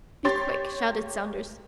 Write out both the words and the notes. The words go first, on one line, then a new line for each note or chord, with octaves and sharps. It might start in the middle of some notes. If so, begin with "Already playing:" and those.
"Be quick!" shouted Saunders.
G4 C#5 C6 A6